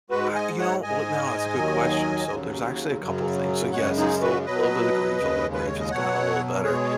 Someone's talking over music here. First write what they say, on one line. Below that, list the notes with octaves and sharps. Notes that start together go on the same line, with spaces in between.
Ah, you know what now, that's a good question. So, there's actually a couple things. So, yes, it's still a little bit of the grief, although the grief has gotten a little better,
G#2 G#3 F#4 B4
D#5 G#5
C#5 F#5
G#2 G#3 D#5 G#5
D#2 D#3 F#3
D#2 C#3 F#3
F#2 C#3 F#3
F#2 C#3 G#3 C#5 F#5
D#4 G#4
F#4 B4
B2 F#3 B4 D#5
D#2 C#3 G#3
B4
C#5
D#5
B2 F#3 C#5 F#5
B2 G#3 G#4 C#5